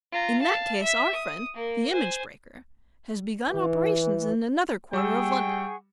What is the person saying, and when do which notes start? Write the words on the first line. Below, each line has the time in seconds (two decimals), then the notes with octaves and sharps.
In that case our friend the image-breaker has begun operations in another quarter of London.
0.12 F4 A#5
0.42 F5 A5
0.81 E5 B6
1.14 D#6
1.55 A#3 A#4
1.93 C5 G#5
3.51 E3
4.93 G3 G#4 F#5 G5 C#6 E6